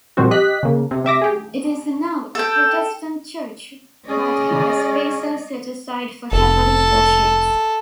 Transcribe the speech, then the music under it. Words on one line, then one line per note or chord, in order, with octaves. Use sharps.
It is now a Protestant church, but has spaces set aside for Catholic worship.
A#2 F3 G3 C4 F#4
G4 D#5 F#6 B6
C#3 A#3
C3
C3 E5 D6 A#6
G4 G#4
A4 G5
G#3 C#4 G#4 D5 D#5
F1 A4